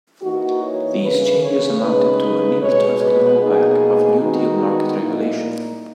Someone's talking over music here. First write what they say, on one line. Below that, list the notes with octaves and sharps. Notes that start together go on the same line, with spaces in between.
These changes amounted to a near-total rollback of New Deal market regulation.
E3 A#3 D#4 F#4
C#5
C#3 E3 A#3 C#4 B4
C#5
C#3 G#3 D#4 B4
B2 G#3 B3 C#5
B4
B2 A#3 D#4 G#4
D#3 G#3 B3 D#4 F#4
A#2 A#3 D#4 E4